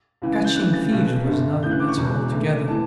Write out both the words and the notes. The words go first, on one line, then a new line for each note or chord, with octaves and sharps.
Catching thieves was another matter altogether.
C#2 C#3 E3
A6
G6
D2 C#3 E3 F#6
A6
B1 B2
G1 G2 D3
D2 C#3 E3 G6
F#6
D6
C#6
E1 E2 B2
D2 D3
A2 E3 A5